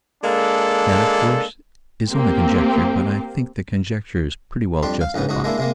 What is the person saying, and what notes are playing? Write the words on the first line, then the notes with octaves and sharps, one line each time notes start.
That of course is only conjecture, but I think the conjecture is pretty well justified.
G#3 A#3 D4 A4
A#3 C4 G4
F2 G3 D4 C6
F5
A#1 G#2 C#3 B3
C#2 G#2 F#4 D#5
G#3 A#3 D4 E4
C3 G#3 A#3